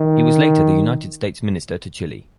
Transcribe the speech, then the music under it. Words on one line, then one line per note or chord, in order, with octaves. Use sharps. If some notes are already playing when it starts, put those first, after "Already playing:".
He was later the United States Minister to Chile.
Already playing: D#3